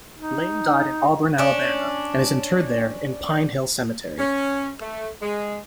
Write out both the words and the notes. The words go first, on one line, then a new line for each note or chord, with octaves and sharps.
Lane died in Auburn, Alabama, and is interred there in Pine Hill Cemetery.
D#4
C#4 D4
C#4
A3
G#3